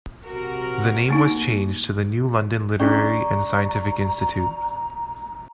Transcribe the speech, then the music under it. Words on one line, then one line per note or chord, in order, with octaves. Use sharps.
The name was changed to the New London Literary and Scientific Institute.
C3 F#4 A#4
A3 A#3 D#4
C#4 D4 G#4 D5 A#5 C#6